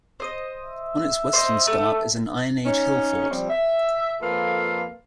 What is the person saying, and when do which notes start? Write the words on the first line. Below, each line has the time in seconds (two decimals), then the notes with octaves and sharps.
On its western scarp is an Iron Age hill fort.
0.20 C5 D#5
0.65 E5
1.33 C5 D5 D#5
1.67 A3
2.66 C#4 D#4
3.30 F3 G3 C4
3.50 E5
4.22 F2 A#3 F4 A4 B4 F5